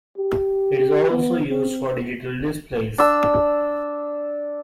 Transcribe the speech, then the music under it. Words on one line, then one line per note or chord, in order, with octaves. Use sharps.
It is also used for digital displays.
G4
B3
C4
D4 E6